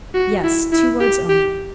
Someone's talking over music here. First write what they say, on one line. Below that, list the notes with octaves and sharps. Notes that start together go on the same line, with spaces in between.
"Yes; two words only."
F#4
E4
E4
G4
G4